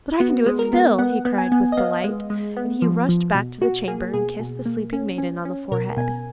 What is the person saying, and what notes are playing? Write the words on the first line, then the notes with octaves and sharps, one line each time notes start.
'But I can do it still!' he cried with delight, and he rushed back to the chamber and kissed the sleeping maiden on the forehead.
B3 F#4
G#3
A#4
B3
B3 F#5
B3
G#5
B3
D#5
B3 F5
G#3
G#3
B3
F3
F3
B2
B2 F#4
A#3 G#4
B2 G#4
B2
A#3
C#4
C#4
C#4
B2 A#4
B2 G#5